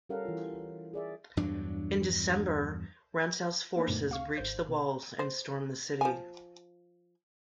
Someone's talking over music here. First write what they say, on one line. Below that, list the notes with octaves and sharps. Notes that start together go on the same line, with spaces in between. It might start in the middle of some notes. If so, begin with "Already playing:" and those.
In December, Rantzau's forces breached the walls and stormed the city.
G3 C#4 A4 A#4 F5 F#5
E3 F4
G#4 D5 E5
E2 G2 F#3 D4
A#3 B3 D#4 A#4 C5
F#2 A#2 D3 A3
D2 F5 C#6
G#1 C5 G6
B2
C5
F3 G#5